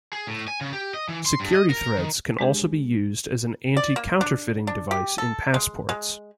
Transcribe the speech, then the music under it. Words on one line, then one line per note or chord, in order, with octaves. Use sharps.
Security threads can also be used as an anti-counterfeiting device in passports.
G#4
A2
G#5
C#3
G4
D#5
E3
C6
G2
D#5
A#4
D#3
G#3 D4 G4 G#4
D5
A#3
D4
D4
G4
A4
G#3
G#3